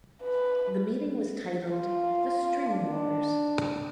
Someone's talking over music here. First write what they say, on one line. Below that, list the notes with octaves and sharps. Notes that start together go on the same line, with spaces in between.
The meeting was titled "The String Wars".
B4
F4
D4